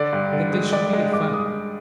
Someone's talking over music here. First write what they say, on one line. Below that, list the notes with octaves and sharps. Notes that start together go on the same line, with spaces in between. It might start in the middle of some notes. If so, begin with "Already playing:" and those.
"That there should be a famine!"
Already playing: D3 D5
G2
D3
G#3
G#3 D5
G#3 D#5
G2 D6
G#3 D#6